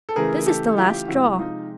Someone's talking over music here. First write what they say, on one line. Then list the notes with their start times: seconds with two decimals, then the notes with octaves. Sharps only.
This is the last straw.
0.09 A4
0.15 C#3 E3 A3 G#4 A#4
0.46 G4 A4
0.78 F4 G4
1.08 C3 F3 G#3 E4 F#4
1.39 D#4 F4